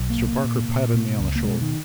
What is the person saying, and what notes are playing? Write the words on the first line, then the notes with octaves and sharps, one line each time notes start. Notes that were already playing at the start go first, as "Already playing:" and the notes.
Mr. Parker patted me on the shoulder.
Already playing: B1
A#3
A#2
A#3
A#2
A#2
B2
C#2
A#3
B2 G#3
D#3